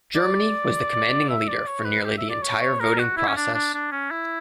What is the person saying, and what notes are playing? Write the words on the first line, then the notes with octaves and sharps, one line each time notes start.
Germany was the commanding leader for nearly the entire voting process.
D5
E5
D5
C#5
B4
G4
E5
D5
C#5
C#5
A#4
F#4
E4
C#4
D4
D4
D4
C#4
E4